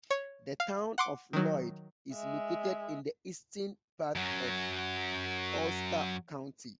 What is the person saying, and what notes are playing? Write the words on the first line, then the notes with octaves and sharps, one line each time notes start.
The Town of Lloyd is located in the eastern part of Ulster County.
C#5
F5
F#5 C6 D6
D#3 F#3
G#3 E5
F#2 F#3